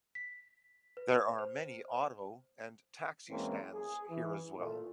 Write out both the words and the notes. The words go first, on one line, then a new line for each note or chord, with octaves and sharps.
There are many auto and taxi stands here as well.
B6
B4
C5
E3 G#3 A#3 C4 C#4 E4
G#4
E3
A#2 A3 F4